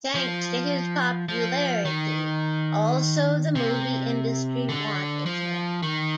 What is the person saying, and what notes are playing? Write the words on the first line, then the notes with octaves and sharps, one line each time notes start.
Thanks to his popularity, also the movie industry wanted him.
F3
F3
D#3
C3
D3
F3
D#3